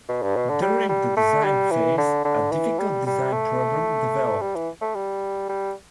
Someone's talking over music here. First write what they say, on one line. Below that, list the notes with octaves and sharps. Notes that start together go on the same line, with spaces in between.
During the design phase, a difficult design problem developed.
B2
G2
B2
D3
G3
G3
A3
G3
E3
D3
D3
E3
G3
G3
A3
G3
E3
A3
G3
G3